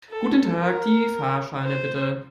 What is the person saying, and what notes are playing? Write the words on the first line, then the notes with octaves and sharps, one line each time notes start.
Guten Tag, die Fahrscheine bitte.
A4
A#4
C5